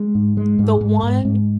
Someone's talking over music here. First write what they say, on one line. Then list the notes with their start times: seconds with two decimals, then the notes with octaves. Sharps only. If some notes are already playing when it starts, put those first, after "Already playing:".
the one
Already playing: G#3
0.15 G#2
0.37 G#3
0.59 G#2
0.81 G#2
1.03 G#2
1.25 G#2